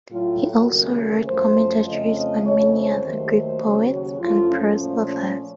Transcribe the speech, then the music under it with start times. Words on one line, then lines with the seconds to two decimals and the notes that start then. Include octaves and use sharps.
He also wrote commentaries on many other Greek poets and prose authors.
0.11 A2 F#3 A3 F4
0.41 F#4
0.69 D#2 C#3 F#3 A3 A#4
1.28 F#2 F3 A3 C5
1.87 F2 C#3 F3 A3 D#5
2.15 D#5
2.44 F2 C#3 A3 C#5
2.73 C5
3.02 D#2 D#3 F#3 A3
3.61 D#2 C#3 F#3
3.90 F#4
4.19 F#2 F3 A3 F4
4.49 C#4
4.77 A#2 F3 A3
5.06 C#4